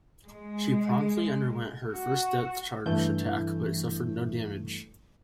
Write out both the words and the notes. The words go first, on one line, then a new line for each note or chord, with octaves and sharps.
She promptly underwent her first depth charge attack but suffered no damage.
G#3
F#4
G2 E3 A3 G6